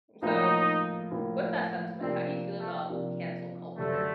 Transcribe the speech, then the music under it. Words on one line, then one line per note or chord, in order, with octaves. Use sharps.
So, w w with that sentiment, how do you feel about cancel culture?
A2 F3 A#3 D#4
A2 F3 A#3
C3 F3 A#3 C4 D4 G4
A3
C3 F3 A#3 D4 G4
F#2 D3 G3 A3